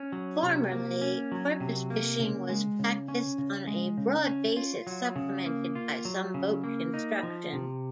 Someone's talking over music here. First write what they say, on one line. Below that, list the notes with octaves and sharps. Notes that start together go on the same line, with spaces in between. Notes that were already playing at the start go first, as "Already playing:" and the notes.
Formerly, porpoise fishing was practised on a broad basis, supplemented by some boat construction.
Already playing: C#4
F#3
C3
A#3
C#4
F#3
C3
A#3
C#3
G#3
C#3
C#4
C#3
G#3
C#3
C#4
F4
F#3
C#3
A#3
F4
F#3
C#3
A#3
D#4
F3
C3